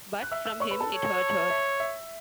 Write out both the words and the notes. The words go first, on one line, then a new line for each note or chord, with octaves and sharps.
But from him it hurt her.
F#6
E5 E6
E5 E6
C#5 C#6
B4 B5
A4 A5
C#5
E5
E5